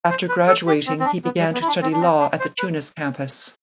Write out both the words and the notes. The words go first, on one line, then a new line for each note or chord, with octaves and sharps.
After graduating he began to study law at the Tunis campus.
C5
B4
A4
G4
C4
C4
D4
B3
G3
B3
E4
D4
C4
D4
C4
D4
C5
B4